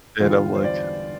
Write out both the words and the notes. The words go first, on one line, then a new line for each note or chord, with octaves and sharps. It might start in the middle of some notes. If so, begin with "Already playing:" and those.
and I'm like
E2 D3 G3 F4
C5
D5